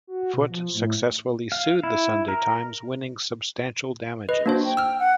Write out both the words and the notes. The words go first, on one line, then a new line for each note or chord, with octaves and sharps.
Foot successfully sued the "Sunday Times", winning "substantial" damages.
F#4
B2
F3
A2
F5
E4
A#4
B4 D#5
A#3 D4 F#4 C5
G5
E6 F6
F#5